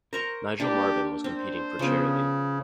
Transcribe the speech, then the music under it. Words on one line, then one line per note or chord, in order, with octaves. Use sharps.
Nigel Marven was competing for charity.
A#4 C5 A#5 C#6
A#3 D4 G4
C4 C5
C#3 F3 B3